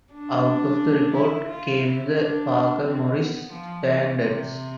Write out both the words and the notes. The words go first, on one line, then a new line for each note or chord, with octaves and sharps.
Out of the report came the Parker Morris Standards.
D4
E4
F4
E4
D4
C4
B3
F3
E3
C3